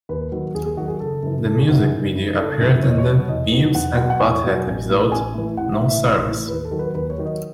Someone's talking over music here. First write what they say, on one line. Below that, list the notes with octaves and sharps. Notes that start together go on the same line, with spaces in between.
The music video appeared in the "Beavis and Butt-head" episode "No Service".
D#2 B4
D#3 F#3
D#2 G#4
G#4
D#3 F#3 F#4
G#4
F#1 A4
F#2 C#3 E3
F#1 A4
G#4
F#2 C#3 E3 F#4
G#4
F#1
F#2 C#3 E3
F#1 A4
F#2 C#3 E3
E2 C#5
D#5
C#5
B2 F#3
E2 D#5
B2 F#3
E2 F#5
B2 F#3 F#5
F#5
E2 G#5
B2 F#3
A1
A2 E3
A1 G#5
A2 E3
A1 F#5
E5
A2 E3
E5
A1 C#5
A2 E3
D#2 B4
A4
D#3 F#3
B4
D#2 B4
C#5
D#3 F#3
D#5